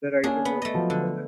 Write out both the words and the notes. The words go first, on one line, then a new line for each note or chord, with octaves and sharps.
The writer was his brother.
A#3 C#4 D4 G#4 G#5
B3
A3 D#5
F3 F#3
D3